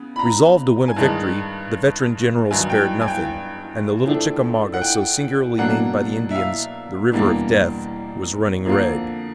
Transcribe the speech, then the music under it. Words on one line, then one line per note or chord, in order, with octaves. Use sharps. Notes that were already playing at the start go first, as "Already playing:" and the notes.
Resolved to win a victory, the veteran generals spared nothing, and the little Chickamauga, so singularly named by the Indians "the river of death," was running red.
Already playing: C#3 B3
B5
A#5
G#5
G2 D#3 G#3 A5
G2 D#3 F#3 G#5
G5
G#5
G5
A2 F3 A3 D4
F#5
G5
B2 F#3 A#3 D4 F#5
E5
F5
E2 B2 G3 A#3 D4
F2 D3 F3 A#3